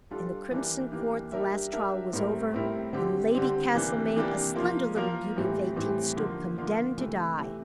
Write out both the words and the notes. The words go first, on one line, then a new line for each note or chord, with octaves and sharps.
In the crimson court the last trial was over, and Lady Castlemaine, a slender little beauty of eighteen stood condemned to die.
G3 D4 F4 A4
E3 A#3 D4 G4
E3 A#3 D4 G4
G3 D4 G4 A#4 E5
G3 D4 G4 A#4 E5
A2 G3 C4 E4 A#4
A2 G3 C4 E4 A#4
D3 G3 C4 G4
D3 G3 C4 G4
C3 E3 A#3 D4 G4
C3 E3 A#3 D4 G4
F3 A#3 F4 A#4
F3 A#3 F4 A#4
A2 E3 G3 C4 G4
A2 E3 G3 C4 G4
D3 F3 A#3 F4
D3 F3 A#3 F4
C3 E3 A3
C3 E3 A3